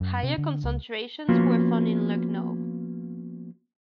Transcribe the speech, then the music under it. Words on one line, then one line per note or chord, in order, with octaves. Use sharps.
Higher concentrations were found in Lucknow.
F#2
C3
D3
C#2
F3 A#3 B3 C#4 F4 F#4